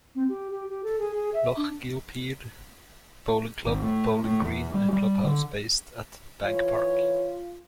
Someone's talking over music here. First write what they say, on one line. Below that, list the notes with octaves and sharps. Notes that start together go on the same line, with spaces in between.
Lochgilphead Bowling Club bowling green and clubhouse based at Bank Park.
C4
G4
G4
G4
A4
G#4
G#4
E5
D4
G#1
A2
A2
E2
G3
G3
D3
E3 F4 C#5